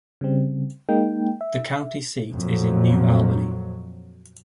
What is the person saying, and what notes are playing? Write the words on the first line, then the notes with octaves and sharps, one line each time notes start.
The county seat is New Albany.
C#3 G3 C4
G#3 A#3 D#4 G5
E5
F2 A#2 F#3